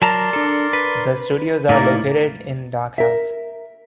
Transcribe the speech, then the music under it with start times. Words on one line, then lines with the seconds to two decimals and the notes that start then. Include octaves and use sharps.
The studios are located in Dock House.
0.02 F#3 A#4 D5 A5 A#5 C6
0.33 D4 A4
0.73 B4
1.69 A2 A#3 D#4 E4 A#4 D5
2.98 A#4 E5